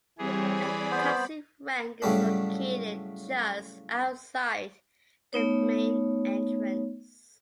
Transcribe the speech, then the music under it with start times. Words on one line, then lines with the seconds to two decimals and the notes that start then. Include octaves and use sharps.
A taxi rank is located just outside the main entrance.
0.18 E3 G3 C4 G#4 C#5
0.52 D5 B5
0.91 B3 C5
2.02 A2 C#3 F#3 G3 A3 D4
5.33 A3 B3 D#4 C#5